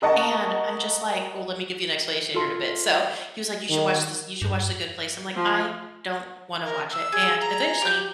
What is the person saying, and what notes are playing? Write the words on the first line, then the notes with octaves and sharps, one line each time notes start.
And I'm just like ooh, let me give you an explanation here in a bit. So, he was like, "You should watch this you should watch The Good Place." I'm like, "I don't wanna watch it." And eventually,
A#4 D#5 F#5 A5 C#6
F4 A4 C6
D#3
G2
F3
A#4
E6
G#4
A#5
G4 G6